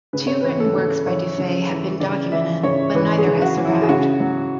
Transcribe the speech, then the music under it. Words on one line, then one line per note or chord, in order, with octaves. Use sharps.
Two written works by Du Fay have been documented, but neither has survived.
C#3 B4
C#5
E3 B4
A4
C#3
E3 C#5
C#3
E3
C#3 D5
E3 E5
C#3 C#5
E3 B4
G#4
C#3
F#4
E3
E4
G#4
C#3 F#4
F#3